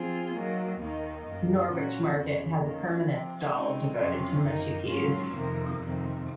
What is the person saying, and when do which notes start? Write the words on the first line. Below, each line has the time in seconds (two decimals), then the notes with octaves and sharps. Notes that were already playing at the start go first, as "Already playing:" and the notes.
Norwich Market has a permanent stall devoted to mushy peas.
Already playing: F3 C4 F4 G#4
0.34 D#3 F#3 A#3
0.80 D#2 D#3 A#3 D#4
1.25 F#2 D#3 A#3
1.71 A#2 F#3 C#4 F#4
2.16 F2 C#3 F3
2.61 D#3 A#3 C#4
3.07 C3 F3 C4
3.53 C#3 G#3 C4 D#4
3.98 F2 C3 F#3 C#4 F4
4.43 F#2 D#3 A#3 D#4
4.88 G#2 F#3 A#3 C#4 F4
5.34 F2 C3 D#3 A#3
5.80 F2 C3 D#3